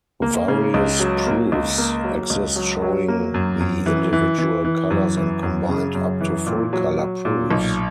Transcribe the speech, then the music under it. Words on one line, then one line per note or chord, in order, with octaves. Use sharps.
Various proofs exist showing the individual colours and combined up to full colour proofs.
A#3
C#3
C#2
F#3
A#3
C#2
A#3
F#3
C#2
F#3
F#3
A#3
F#2
F#2
E3
E3
E3
E3
F#2
E3
F#2
C#3
F#2
E3
A#2
F#3
F#3
A#2
B1